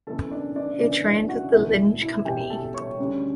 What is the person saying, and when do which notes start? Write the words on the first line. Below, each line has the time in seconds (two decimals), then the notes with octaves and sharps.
He trained with the Linge Company.
0.07 F#1 F#2 E3 B3 A4 A5
0.31 D4 D5
0.56 D4 D5
0.80 F#1 F#2 E3 B3 D4 D5
1.04 E4 E5
1.28 F#4 F#5
1.53 E1 E2 B2 E4 E5
2.02 E4 E5
2.25 E1 E2 B2 G4 G5
2.50 A4 A5
2.74 C#5 C#6
2.99 D2 C#3 G3 D4